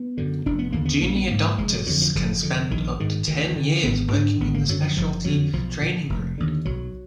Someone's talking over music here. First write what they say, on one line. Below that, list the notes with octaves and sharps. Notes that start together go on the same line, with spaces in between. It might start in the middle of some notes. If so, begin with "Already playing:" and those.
Junior doctors can spend up to ten years working in the speciality training grade.
Already playing: B3
F#2 D3
F1 D4
B3
D#2 D3 A#3
B3
A#1 A#3
B3
G#2 A#3
F1 G#3
F#3
F2 D3 F#3
F3
F#1 F3
F2 D3
A#1 D#3
G#2 D#3
D2 D#3
D3
G#1 B3
G#2 D4
G#1 B3
A#3
F#2 D3 F#3
F3
F#1 F3
F2 D3 F#3
B1 F3
A#2
F1
D#2 D3
B1 F#3